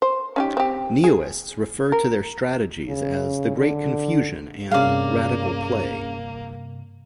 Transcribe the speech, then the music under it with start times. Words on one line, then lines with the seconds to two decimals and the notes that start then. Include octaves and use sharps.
Neoists refer to their strategies as "the great confusion" and "radical play".
0.02 C5
0.36 C#4 D#4 G4
0.57 C4 G4
1.04 G#4
1.92 A#4
2.88 C#3
3.56 D3
4.71 G2 C3 A#3 C#4 G#4 D5 F5